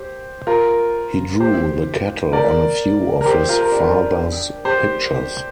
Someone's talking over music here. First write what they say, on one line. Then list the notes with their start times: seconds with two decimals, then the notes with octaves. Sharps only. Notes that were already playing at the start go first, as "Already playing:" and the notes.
He drew the cattle on a few of his father's pictures.
Already playing: G4 C5
0.47 F4 A#4
1.40 G4 C5
2.33 A#4 D5
3.21 A#4
3.26 G4 C5
3.49 F4 A#4
3.61 A#4
3.72 D4 G4
4.65 G4 C5